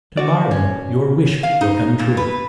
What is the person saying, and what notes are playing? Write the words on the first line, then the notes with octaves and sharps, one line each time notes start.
"Tomorrow your wish will come true."
F#4 D5
C#4
F5
D#4
A#2
B4